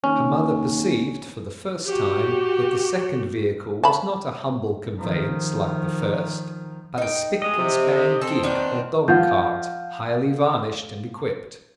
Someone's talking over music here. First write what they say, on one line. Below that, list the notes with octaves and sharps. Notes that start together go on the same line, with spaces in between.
Her mother perceived, for the first time, that the second vehicle was not a humble conveyance like the first, but a spick-and-span gig or dog-cart, highly varnished and equipped.
D#2 C#4
F#4 G4
A5 B5
D#3 F3
D#4 G5
G#3 D#5
C3
C4 A4
D#3 B3 D4
F3 F4 F5 F#5 G6